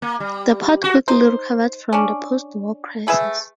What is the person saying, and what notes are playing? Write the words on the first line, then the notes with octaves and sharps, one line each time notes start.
The port quickly recovered from the post-war crisis.
A#3
G3
F#4
D#4 C5
C#4 D4
A3 G#4 B4 E5